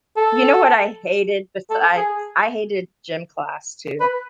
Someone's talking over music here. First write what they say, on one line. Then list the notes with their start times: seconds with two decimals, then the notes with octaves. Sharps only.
You know what I hated besides I hated gym class too.
0.17 A4
1.70 A4
1.97 G#4
4.00 B4